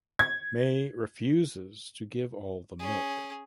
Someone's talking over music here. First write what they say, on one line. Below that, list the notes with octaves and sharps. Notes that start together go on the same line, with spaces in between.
Mai refuses to give all the milk.
G#6
C#4 G#4